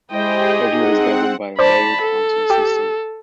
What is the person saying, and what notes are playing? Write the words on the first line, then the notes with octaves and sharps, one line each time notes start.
Edgewood is governed by a mayor-council system.
G#3 E4 G4 G#4 C5 D#5 G5
C4 D#4 G#4 F#5
C5 D5 A5 B5
A4
G4